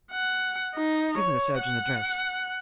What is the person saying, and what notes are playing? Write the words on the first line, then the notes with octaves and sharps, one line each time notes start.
Give me the surgeon's address.
F#5
D#4
C#5
F#5